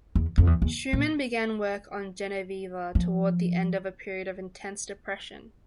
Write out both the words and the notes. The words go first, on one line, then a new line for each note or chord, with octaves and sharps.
Schumann began work on "Genoveva" toward the end of a period of intense depression.
E2
F2
E2
E2
A#2
F3